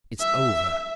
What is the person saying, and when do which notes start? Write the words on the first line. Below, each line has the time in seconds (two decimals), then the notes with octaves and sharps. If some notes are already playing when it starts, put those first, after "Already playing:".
It's over....
0.20 E5